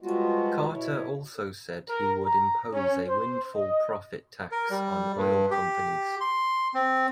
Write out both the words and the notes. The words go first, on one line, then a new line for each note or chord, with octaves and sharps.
Carter also said he would impose a windfall profit tax on oil companies.
F3 G3 G#3 B3 F4 F#4
B2 E4 C#5
A#4
A#5
C#4
C5
D#5
A#4
G3
G2
G4
C6
C4